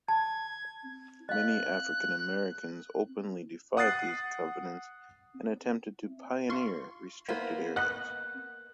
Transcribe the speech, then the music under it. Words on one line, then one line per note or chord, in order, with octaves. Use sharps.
Many African Americans openly defied these covenants and attempted to "pioneer" restricted areas.
A5 G#6
D#5 F5 F#6
F#5 D#6 F#6 A6 C7
F4 C6 C#6
A#3 B3 E4 C5
B4 D#5 F#5 F#6